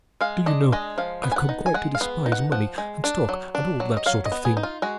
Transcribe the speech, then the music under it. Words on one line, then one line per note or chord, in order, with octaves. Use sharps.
Do you know, I've come quite to despise money and stock, and all that sort of thing.
G#3 F5
D4 D#5
G#3 D#5
F3 F5
B3
G#5
F#5
D#4
G#5
G#3 F#5
F5
B3
D#4
F#5
F3 F#5
G#3
D4
F#3
D4
F#3
D#5
F#3 F5
D#5
B3
G#4
D#4
F4
G#3 F#4